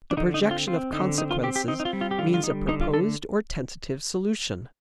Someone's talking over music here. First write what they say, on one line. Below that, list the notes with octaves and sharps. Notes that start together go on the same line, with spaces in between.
The projection of consequences means a proposed or tentative solution.
D4
D3 D#4
D#4
C4
F4
C4 F4
D3 D#4
C4 D#4
F4
C4 G4
G4
C4 D#4
D#4
F4
G3
F4
G4
D3 F4
F4
G3 D#4
D3 D#4
F4
D3 A4